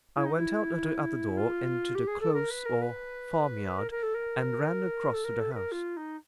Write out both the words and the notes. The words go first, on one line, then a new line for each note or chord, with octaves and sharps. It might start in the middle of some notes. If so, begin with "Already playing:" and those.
I went out at the other door into the close or farmyard, and ran across to the house.
E4
D#4
E4
F4
G4
G#4
A4
A#4
B4
A#4
B4
A#4
A#4
A4
A#4
A4
A#4
A4
B4
A#4
F4
D#4